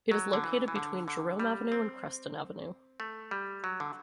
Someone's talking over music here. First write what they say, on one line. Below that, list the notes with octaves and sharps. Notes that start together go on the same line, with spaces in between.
It is located in between Jerome Avenue and Creston Avenue.
F#3
D3
E3
E3
D3
D3
G3
C4
A3
G3
F#3
D3